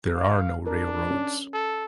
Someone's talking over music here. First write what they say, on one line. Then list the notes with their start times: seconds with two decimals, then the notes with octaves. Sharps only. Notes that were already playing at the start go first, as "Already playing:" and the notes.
There are no railroads.
0.16 F5
0.67 D4 A#4
1.11 C#4
1.53 A4